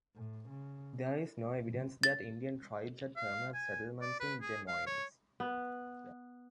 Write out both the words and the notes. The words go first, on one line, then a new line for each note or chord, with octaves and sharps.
There is no evidence that Indian tribes had permanent settlements in Des Moines.
A2
C#3
A6
F5
G#5
D5
B4
G#4
F5
C#5
B3